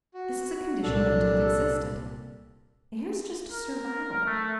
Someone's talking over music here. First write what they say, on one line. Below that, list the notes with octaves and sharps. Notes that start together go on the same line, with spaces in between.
This is a condition known to have existed--here's just a survival.
F#4
C2 A#2 G3 D4 A4
A#4
A3